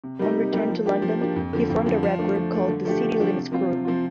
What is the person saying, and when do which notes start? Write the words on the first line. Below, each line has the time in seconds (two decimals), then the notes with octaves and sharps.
On return to London, he formed a rap group called the City Limits Crew.
0.04 C3
0.19 G3 A#3 D#4 G4
0.37 C3
0.53 G3 A#3 D#4 G4
0.69 F3
0.86 A#3 D4 G4
1.02 F3
1.20 A#3 D4 G4
1.36 F2
1.53 D3 F3
1.70 F2
1.86 D3 F3
2.03 F3
2.19 A3 D4
2.36 F3
2.53 A3 D4
2.68 D3
2.85 F3 A3 D4 G4
3.02 D3
3.18 F3 A3 D4 G4
3.35 C3
3.52 F3 C4 F4
3.68 C3
3.85 F3 C4 F4